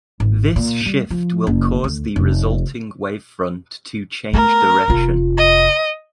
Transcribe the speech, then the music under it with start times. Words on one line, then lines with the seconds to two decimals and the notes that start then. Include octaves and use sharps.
This shift will cause the resulting wavefront to change direction.
0.20 G#1
0.56 A#2
0.85 G3
1.10 F3
1.47 F#1
1.84 D2
2.16 F1
4.33 A3 B3 A#4
4.88 F1 F4
5.37 D#5